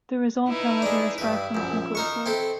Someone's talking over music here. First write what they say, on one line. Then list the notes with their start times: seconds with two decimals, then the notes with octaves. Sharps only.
The result, however, is far from conclusive.
0.48 D#4 E4 B4
0.82 G#3 D4
1.18 G2 E4 B4
1.55 A#1 F#2
1.95 D#4 A#4 C#6
2.26 C4 E4 A4